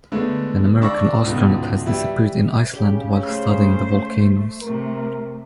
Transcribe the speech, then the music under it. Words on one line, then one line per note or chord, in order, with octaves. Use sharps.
An American astronaut has disappeared in Iceland while studying the volcanoes.
D3 G#3 A3 B3
D4 D5 C#6 E6 A#6
C#2 G#2 B2 D3
E3 G3 E4
C#3 G4
A3 C5
C3 A3 A#4